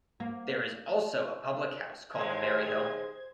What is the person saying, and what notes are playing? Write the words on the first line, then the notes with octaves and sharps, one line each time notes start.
There is also a Public house called the Merry Hill.
A#3
D#2 G#3 C5 G#6